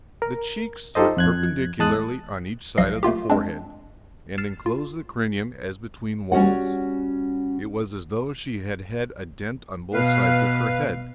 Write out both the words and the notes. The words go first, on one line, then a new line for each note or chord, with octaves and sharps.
The cheeks stood perpendicularly on each side of the forehead, and enclosed the cranium as between walls; it was as though she had had a dent on both sides of her head.
A#4
D#4 F4 G4 A4 C5 D#5
F2 F#6 G#6
E2 G#3 A5 D#6 F#6
B1 F3 D#5 F5 C7
A3 A#3 F4 G4
G#3 C4 D4
F6 A6 C7 E7
F4
G3 C#4 F#4 F#5
B2 B4 F5